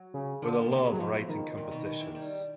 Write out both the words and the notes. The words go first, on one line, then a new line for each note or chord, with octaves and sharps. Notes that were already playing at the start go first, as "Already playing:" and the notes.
But I love writing compositions.
Already playing: F#3
C#3
D3 F3
C#3
F#3
B2 F3
D#3
A#2
B2
B2
E3
G3